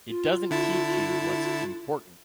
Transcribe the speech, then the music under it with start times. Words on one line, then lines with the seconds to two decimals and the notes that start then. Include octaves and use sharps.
It doesn't teach you what's important.
0.09 F4
0.50 D3 E4 A5